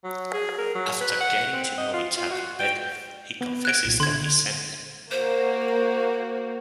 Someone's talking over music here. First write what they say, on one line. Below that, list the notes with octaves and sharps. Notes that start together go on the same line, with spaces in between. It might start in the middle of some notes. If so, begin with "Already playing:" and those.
After getting to know each other better, he confesses that he sent them.
F#3
G#4
A#4
F#3
B4
F#5
C4
D#5
F4
F4
F#4
G5
B3
F#6 G#6 D7
B1 A#2
D3 C6 G#6
A#3 F#4 C5